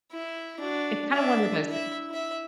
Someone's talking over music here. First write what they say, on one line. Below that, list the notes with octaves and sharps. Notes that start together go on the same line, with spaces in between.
it's kinda one of those thing
E4
D4 F#4
D4 E5
E4 E5
E4 E5